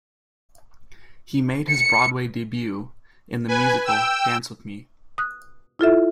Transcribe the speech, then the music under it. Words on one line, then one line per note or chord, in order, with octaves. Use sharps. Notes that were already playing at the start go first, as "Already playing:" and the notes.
He made his Broadway debut in the musical "Dance with Me".
C#7
B4 G#5
G5 E6
D#6 F#6
E4 F4 A4 E5